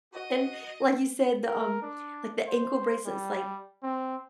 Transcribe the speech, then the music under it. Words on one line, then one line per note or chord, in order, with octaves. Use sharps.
And, like you said, the, um like, the ankle bracelets, like
F#4 D#5
A#4
D4
C5
G3
C4